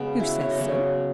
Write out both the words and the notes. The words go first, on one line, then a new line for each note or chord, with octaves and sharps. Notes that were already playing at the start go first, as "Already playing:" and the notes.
"Who says so?"
Already playing: C#3 G#3 B3
E4 F#4
C#5
D#5
C#3 F#3 B3 C#5